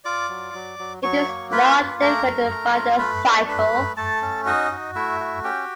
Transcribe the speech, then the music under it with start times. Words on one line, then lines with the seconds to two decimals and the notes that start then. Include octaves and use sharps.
It is not difficult to find a cycle.
0.04 F4 D5 D6
0.29 F#3
0.54 F#3
0.79 F#3
1.03 F#3 C#5 C#6
1.28 A#3
1.51 F4 B4 B5
1.77 A#3
2.01 A3 A#4 A#5
2.25 A3
2.50 A3
2.74 F4
2.99 A3 B4 B5
3.24 D4
3.48 A3 B4 B5
3.73 A3
3.97 A3 A4 A5
4.22 C#4
4.46 D#4 F#4 D#5
4.71 F#4
4.95 A3 E4 E5
5.20 F#4
5.44 C#4 G4 G5